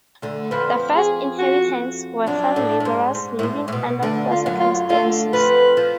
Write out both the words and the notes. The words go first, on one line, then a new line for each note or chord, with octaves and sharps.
The first inhabitants were farm laborers living under poor circumstances.
D2 D3
F2 F3 B4
G#4
F#4
F#2 F#3 D4
A2
A2
G#2
G#2
A2
G#2
A2
B2
D2 D3 D4
F4
F#2 F#3
F4
D2 D3 F4
F2 F3 B4
F3